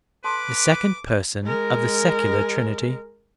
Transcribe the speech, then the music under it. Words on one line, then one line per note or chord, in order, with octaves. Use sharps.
The Second Person of the secular Trinity.
A4 B4 A5 C6 D6
G#3 A#4